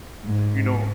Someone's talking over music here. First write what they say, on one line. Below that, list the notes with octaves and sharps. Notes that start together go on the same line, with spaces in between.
you know
G#2